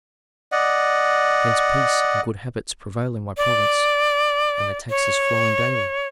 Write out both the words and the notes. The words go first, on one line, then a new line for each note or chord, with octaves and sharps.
"Hence peace and good habits prevail in my province, and the taxes flow in daily."
D5 D#5 F#5
D5
C#5